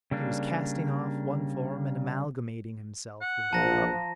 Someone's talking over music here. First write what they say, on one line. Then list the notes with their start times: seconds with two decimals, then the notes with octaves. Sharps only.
He was casting off one form, and amalgamating himself with the other.
0.11 C#3 G3 A#3 D4
3.21 F#5
3.53 A#1 F3 A5 A#5 A#6